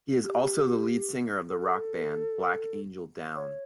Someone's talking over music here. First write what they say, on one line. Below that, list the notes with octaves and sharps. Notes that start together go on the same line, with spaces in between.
He is also the lead singer of the Rock band Black Angel Down.
G4
A4
C#5